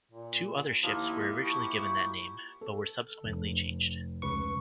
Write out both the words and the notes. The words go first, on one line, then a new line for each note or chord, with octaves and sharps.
Two other ships were originally given that name, but were subsequently changed.
A#2
D#2 F3 A#3 E4 D#5
E4 G4 C#6
A4
F1
C#2 B4 C#6